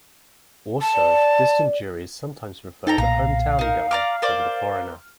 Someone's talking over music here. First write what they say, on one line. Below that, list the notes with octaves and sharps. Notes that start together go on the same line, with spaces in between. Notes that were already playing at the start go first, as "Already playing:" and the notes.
Also, distant juries sometimes prefer the "home-town" guy over the foreigner.
A5
D5
D#4 A4 G5 A#5
B1 A#2 F5 A#5
D#4 A#4
D5 A#5 D6 F6
A#4 C5 D5